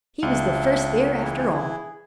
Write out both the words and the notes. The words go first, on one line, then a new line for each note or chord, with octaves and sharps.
He was the first there after all.
C#2 D4 E5
E3 E4 G#4